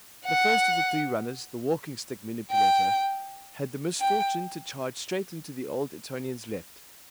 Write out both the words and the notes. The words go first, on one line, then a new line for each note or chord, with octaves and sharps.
The first of the three runners, the walking-stick manipulator, had the misfortune to charge straight into the old Etonian's left.
F#5
G5
G5